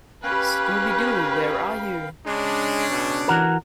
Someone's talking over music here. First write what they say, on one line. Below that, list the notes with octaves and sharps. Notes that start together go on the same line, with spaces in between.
Scooby-Doo, Where Are You!
C#4 G4 B4 F5 G5 F#6
C#3 G#3 C#4 D4
B2
A1 E3 F#4 A#4